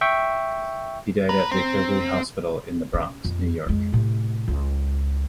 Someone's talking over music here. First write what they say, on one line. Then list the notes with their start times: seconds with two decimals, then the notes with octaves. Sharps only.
He died at Jacobi Hospital in the Bronx, New York.
0.01 E5 G5 C#6
1.29 B4 A#5
1.51 C4
2.94 C#4
3.25 F2
3.66 F2 G#3
3.92 A2 C3
4.48 C#2